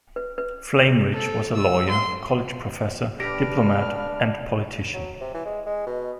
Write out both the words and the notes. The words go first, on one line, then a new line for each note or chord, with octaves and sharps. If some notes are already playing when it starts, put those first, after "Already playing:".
Flamerich was a lawyer, college professor, diplomat, and politician.
B4
B4
A4
E6
C6
D4 G4 B4 F6 A#6 D7
F#3
C3
E3
G#3
G#3
B2